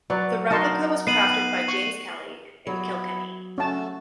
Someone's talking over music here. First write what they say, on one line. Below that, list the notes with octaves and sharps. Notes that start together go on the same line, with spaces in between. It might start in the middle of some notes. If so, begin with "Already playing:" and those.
The replica was crafted by James Kelly in Kilkenny.
F#3 B4 D5
D#4 F#4 A#4 A5 C6
B3 D#5 C7 D#7 F#7
C#6
F#3 B3 E4
A3 C#4 F#4 A5